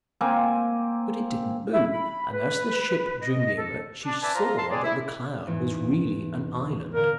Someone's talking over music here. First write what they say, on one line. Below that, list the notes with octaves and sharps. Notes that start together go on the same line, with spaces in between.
But it didn't move, and as the ship drew nearer she saw that the cloud was really an island.
A#3 C4 G#5
E4
B5
B4
D#5
A4
D4
B4 D5 E5 G#5 A5
F4 C5 A#5
A5 A#5 C6
G#3 C4 G#4 D5
E4
E2 G#2 E3
A#2 D3 A#3 A#4